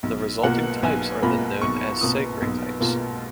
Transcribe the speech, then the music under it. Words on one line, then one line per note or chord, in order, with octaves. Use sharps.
The resulting types are then known as Segre types.
B1
B2 A#3 F4 F#5
B1 G#5
B2 A#3 F4 B5
B1 C#6
B2 A#3 F4 D#6
B1
B2 A#3 F4